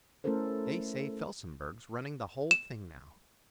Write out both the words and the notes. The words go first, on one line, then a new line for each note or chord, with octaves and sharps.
They say Felsenburgh's running the whole thing now.
A3 C#4 E4 A4 A#4 C5
E7